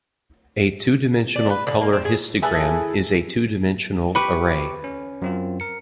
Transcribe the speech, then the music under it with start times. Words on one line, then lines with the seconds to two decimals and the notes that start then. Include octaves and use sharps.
A two-dimensional color histogram is a two-dimensional array.
1.36 D4
1.50 B4
1.67 D3
1.81 A#3
1.93 C4
2.05 G#4
2.42 E4 G#4 A4 B4
4.15 G4 B4 B5 C#6 D6
4.84 C#4
5.22 F#2 C4 F4
5.60 A#4 C#7